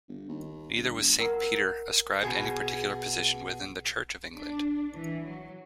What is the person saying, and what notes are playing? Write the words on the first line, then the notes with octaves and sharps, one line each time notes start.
Neither was Saint Peter ascribed any particular position within the Church of England.
G1
D#2
G1
A#4 F#5 A#5
B2 G#4
D4
E3
F#3